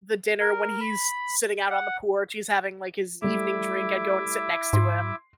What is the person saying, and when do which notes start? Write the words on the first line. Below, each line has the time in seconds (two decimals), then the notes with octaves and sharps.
the dinner, when he's sitting out on the porch, he's having like his evening drink, I'd go and sit next to him.
0.41 A#4
0.81 B5
1.71 F#5
3.22 G3 A3 E4 E5 D6
4.73 G#2 C6